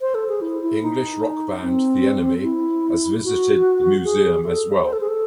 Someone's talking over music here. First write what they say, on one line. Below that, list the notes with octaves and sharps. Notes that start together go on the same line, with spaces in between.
English rock band The Enemy has visited the museum as well.
C5
A4
G#4
E4
E4
D#4
C4
E4
F#4
G#4
A4
C5
A4
G#4
A4